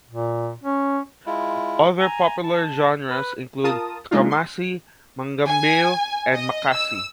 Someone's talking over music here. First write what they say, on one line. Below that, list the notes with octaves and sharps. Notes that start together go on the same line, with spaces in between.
Other popular genres include tchamassi, mangambeu and makassi.
A#2
C#4
G#3 E4 F4
G#5 A#5
A5
B4
F4 A#4 A5 D#6
E3 G#3 A#3 D4 D#4 F4
C6
G#5
D#5
E6